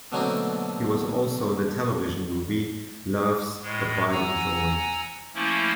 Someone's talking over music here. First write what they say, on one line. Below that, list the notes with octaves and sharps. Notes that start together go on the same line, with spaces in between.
He was also in the television movie, "Love's Abiding Joy".
B2 D3 F#3 A3 A#3 C4
A2 G#3
F#5 G#5 A#5 E6
F3 A3 A#3 C#4 E4